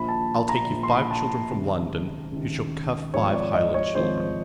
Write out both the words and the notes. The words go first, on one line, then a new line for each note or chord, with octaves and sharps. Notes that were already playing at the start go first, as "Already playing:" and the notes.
I'll take you five children from London, who shall cuff five Highland children.
Already playing: A#1 A#2 F3 B5
A5
A#5
A#1 A#2 F3
C6
B5
A5
C#2 C3 D#3
C#2 C3 D#3
G#1 G#2 F3 C#5
D5
D#5
C#5
G#1 G#2 F3 C5